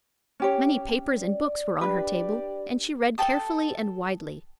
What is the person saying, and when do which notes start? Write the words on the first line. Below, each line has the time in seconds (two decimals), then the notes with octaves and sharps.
Many papers and books were on her table, and she read carefully and widely.
0.40 C#4 G4 C#5
1.13 D5
1.81 D4 G4 B4 D5
3.18 A4 G5 A5 D#6